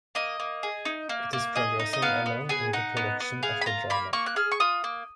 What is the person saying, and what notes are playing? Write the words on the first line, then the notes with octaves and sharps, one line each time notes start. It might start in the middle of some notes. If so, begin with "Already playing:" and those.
It is progressing along with the production of the drama.
A#3 D#5
A#3
G#4
D#4
A#3
A#3
G#4 D#5
D#4
D#5
B3 F5
B3
G#4 G#5
D#4 F#5
B3
B3
G#4 F5
B5
F4 A#5
A#3 B5
A#3 C#6
F#6
G#4 F6
C#6
F4 D#6
A#3